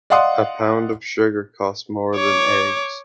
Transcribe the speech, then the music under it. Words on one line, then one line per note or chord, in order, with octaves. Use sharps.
A pound of sugar costs more than eggs.
D5 D#5 F5 F#5 C6 D#6
C#5 D6